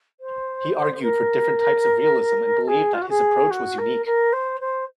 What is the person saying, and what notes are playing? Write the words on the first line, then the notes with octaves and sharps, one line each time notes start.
He argued for different types of realism and believed that his approach was unique.
C5
A#4
G#4
F4
F#4
G#4
F#4
A#4
A#4
C5
C5